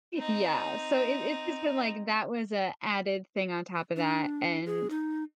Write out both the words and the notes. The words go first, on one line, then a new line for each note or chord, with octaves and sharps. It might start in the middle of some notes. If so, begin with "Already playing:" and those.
Yeah. So it it's just been like that was a added thing on top of that, and
C4 D#4
D4
G#4
D#4